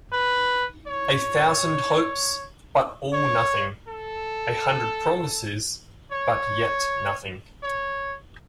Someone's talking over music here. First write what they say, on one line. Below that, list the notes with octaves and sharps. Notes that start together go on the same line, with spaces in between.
A thousand hopes, but all nothing; a hundred promises but yet nothing.
B4
C#5
C#5
A4
C#5
C#5